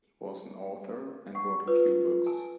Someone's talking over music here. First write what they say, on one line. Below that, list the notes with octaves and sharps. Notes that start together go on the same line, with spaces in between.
He was an author and wrote a few books.
F#5 C#6
F4 B4 C#5
G#5 A5